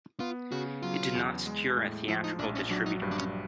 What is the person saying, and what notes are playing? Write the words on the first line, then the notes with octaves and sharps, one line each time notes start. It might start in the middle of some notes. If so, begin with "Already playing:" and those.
It did not secure a theatrical distributor.
B3 F4
C#3 F#4
F#3 F4
E2
G#3
A2
F3 E4
D#4
A#1 D4
C#4
F#3 D4
D#4
G2
D4
C#4